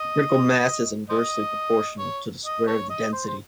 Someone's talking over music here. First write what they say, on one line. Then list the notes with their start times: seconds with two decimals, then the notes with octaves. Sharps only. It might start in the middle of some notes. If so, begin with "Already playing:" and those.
The critical mass is inversely proportional to the square of the density.
Already playing: D#5
1.10 C5 D#5
1.99 C#5
2.45 D#5
2.67 A4 C#5
2.90 D#5
3.12 C5
3.28 C5